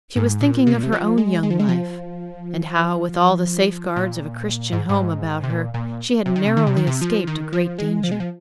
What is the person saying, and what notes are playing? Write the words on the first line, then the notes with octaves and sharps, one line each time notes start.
She was thinking of her own young life, and how, with all the safeguards of a Christian home about her, she had narrowly escaped a great danger.
G#2
A#2
C3
A#2
C3
F3
G#3
G#3
F3
G#3
F3
A#2
G#2
G#2
C3
A#2
A#2
C3
D#3
C3
D#3
C3
D#3
C3
F3
D#3
F3
G#3
F3
G#3
F3